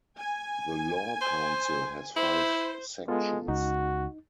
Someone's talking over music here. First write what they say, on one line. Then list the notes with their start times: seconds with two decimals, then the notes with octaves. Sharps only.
The Law Council has five Sections.
0.18 G#5
1.22 C5
2.16 E4 C5
3.08 G#3 B3 F4 A4
3.48 C#2 D#4 F#4